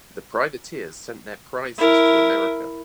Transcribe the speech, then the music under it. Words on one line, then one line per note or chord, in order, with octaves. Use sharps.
The privateers sent their prizes to America.
E4 A#4